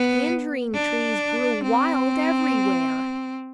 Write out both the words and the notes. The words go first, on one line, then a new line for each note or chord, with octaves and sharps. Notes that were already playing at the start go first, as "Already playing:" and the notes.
Tangerine trees grew wild everywhere.
Already playing: B3
D4
C4